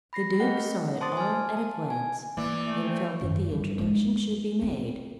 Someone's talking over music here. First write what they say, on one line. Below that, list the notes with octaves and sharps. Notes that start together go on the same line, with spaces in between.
The Duke saw it all at a glance, and felt that the introduction should be made.
B5 A#6 C7
A3 C4 A#4 D#5 F#5 G5
C5 A5 C6 D6 D#6 A6
G#5 F6
A5
G#5
E3 A#3 D5
A3
C4
F#2 D#3
G2
G#3 D#4
C4 D#4